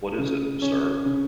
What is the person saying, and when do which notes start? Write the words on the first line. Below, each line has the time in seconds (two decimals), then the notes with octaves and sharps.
What is it, Sir?
0.18 C#3
0.62 C#4
1.05 C#3